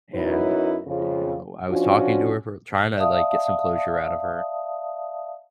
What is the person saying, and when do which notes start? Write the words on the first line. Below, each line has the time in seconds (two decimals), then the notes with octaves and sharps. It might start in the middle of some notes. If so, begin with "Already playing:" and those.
and, y you know, I was talking to her for tryna like, get some closure out of her,
0.13 F#2 D#4 E4 F#4 B4 C#5
0.87 F2 C#3 F4
1.69 F3 C#4 D4 F4 F#4
2.97 D5 E5 F5 A5 D#6